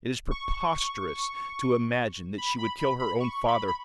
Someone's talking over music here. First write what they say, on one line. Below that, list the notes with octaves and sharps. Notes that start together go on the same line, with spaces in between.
It is preposterous to imagine that she would kill her own father.
C#6
B5
B5
B5
B5
C#6
B5
B5